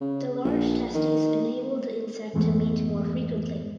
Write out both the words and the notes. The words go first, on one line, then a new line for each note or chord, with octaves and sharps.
The large testes enable the insect to mate more frequently.
C#3
A#1
D#3
F2 G#2 E3 G#3 A3 B3